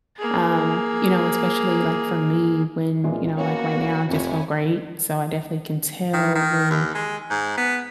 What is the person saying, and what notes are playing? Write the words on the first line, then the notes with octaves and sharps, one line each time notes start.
um, you know, especially, like, for me when, you know, like, right now, I just feel great, so I definitely can tell when,
A#3 G#4
A#2 E3 G#3 F4
A#3 B3 C#4 F#4 C#5 G#5
F1 F2 E4 C#5 G#5
D#3
D#3
D#2
G#3
G#2
B3